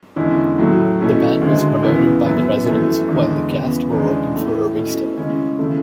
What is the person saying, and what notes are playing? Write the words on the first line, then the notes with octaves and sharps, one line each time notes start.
The band was promoted by the residents while the cast were working for Arista.
E2 D3 G#3 C#4 E4
A2 F#3 A3
B2 A3 C#4 E4
D2 D3 G#3
E2 C#3 E3 B3 E4
F#2 E3 B3 E4
F#2 E3 A3
E2 D3 G#3
E2 C#3 E3 B3
E2 C#3 G#3 D4
A2 E3 A3 E4
B2 A3 C#4 E4
C#3 G#3 C#4 E4
C#3 E3 A3 E4